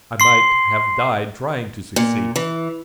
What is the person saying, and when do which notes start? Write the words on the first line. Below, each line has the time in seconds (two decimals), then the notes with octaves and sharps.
I might have died trying to succeed.
0.20 C6 C7
1.96 A#2
2.36 E3